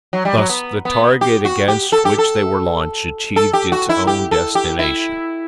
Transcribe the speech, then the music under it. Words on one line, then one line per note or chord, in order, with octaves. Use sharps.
Thus the target against which they were launched achieved its own destination.
F#3
G3
F#3
B3
B3
G4
F#4
G4
A4
G4
A4
A4
G4
F#4
E4
G4
A4
G4
E4